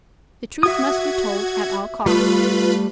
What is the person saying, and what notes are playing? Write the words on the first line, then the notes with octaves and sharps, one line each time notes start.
The truth must be told at all costs.
F#4 E5 D#6 G#6
G3 A3 F4 B4 B5